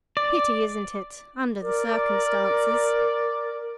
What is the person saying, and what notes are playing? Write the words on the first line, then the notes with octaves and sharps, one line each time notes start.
"Pity, isn't it, under the circumstances?"
D5
A#4 D5